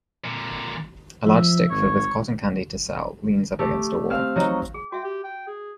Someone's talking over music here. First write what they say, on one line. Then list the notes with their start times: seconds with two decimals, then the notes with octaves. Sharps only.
A large stick filled with cotton candy to sell leans up against a wall.
0.25 A#2 D3
1.25 F3 E5
1.70 G#1 C#5
3.59 A3 G4
4.10 C4 F5 F6 E7
4.36 F#3 D#4 F#4 D#5
4.74 G#4
4.92 F#4 E5 G5
5.05 G4
5.24 G5
5.47 G#4